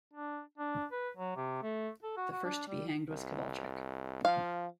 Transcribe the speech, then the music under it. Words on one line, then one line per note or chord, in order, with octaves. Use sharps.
The first to be hanged was Kibalchich.
D4
D4
B4
F#3
C3
A3
A4
F#4
F#4
D4
G3
C2
F3 F5